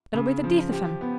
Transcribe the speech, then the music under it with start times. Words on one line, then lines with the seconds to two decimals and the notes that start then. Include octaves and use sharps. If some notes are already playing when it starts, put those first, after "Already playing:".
It'll be the death of him.
0.14 C#3
0.44 F3
0.72 G4
1.01 B3